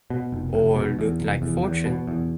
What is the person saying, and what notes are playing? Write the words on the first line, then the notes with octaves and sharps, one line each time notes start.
Or looked like fortune.
B2
F1
F1
B2
E2
F1
E2
E2
B2
E2